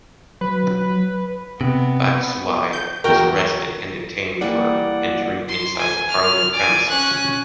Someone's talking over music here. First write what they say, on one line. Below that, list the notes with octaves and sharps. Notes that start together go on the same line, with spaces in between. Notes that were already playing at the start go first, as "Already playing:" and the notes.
Batsiua is arrested and detained for entering inside the Parliament premises.
F#3 B4
C3 B3
G6
E2 F#4 A#4 G5
E3 G3 A#3 D5 F#5
C6
G#5
F6
D5 G#5
C#4 F#6